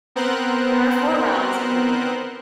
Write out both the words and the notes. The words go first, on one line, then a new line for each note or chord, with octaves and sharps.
There are four rounds in the game.
B3 C4 A#4 C5 F#6